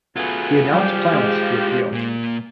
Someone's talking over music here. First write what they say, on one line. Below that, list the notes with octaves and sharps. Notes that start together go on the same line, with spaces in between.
He announced plans to appeal.
F#3 A3 B3 F4 G#4
F3 G3 G4
G#3
A#2 A#3